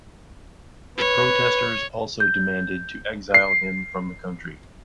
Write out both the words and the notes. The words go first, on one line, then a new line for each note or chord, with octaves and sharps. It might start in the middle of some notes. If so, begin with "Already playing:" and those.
The protesters also demanded to exile him from the country.
B4 C#5
G6
C7